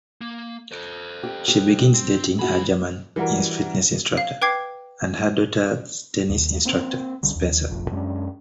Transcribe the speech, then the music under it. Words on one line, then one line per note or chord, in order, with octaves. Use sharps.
She begins dating her German fitness instructor, and her daughter's tennis instructor, Spencer.
A#3
A4 C5
G4
G4
C4
C#2 E4 F#4 G#4 B5
E3 G3 F#4 A#4
F5
B4 G5 D6 G#6 C7
D#2
A#3 C4
B1 D3 G3
D#2
F1 A#1 F2
F#2 G#3 C#4 D4